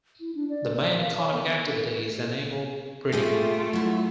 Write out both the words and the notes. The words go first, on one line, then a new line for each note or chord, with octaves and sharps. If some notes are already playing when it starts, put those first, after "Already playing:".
The main economic activity is animal breeding.
E4
D4
D5
D5
F5
C#5
B3
A3 F4 G4 G#4 E5
F#3 E4